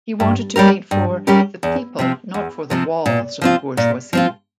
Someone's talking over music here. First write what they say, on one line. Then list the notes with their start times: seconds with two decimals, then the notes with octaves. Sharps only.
He wanted to paint for "the people, not for the walls of the bourgeoisie".
0.20 G2
0.56 G3 C#4 G4 A#4
0.91 G2
1.27 G3 C#4 G4 A#4
1.63 E2
1.99 C3 F3 C4
2.34 E2
2.70 C3 F3 C4
3.06 A#2
3.42 F3 C4 F4
3.77 A#2
4.13 F3 C4 F4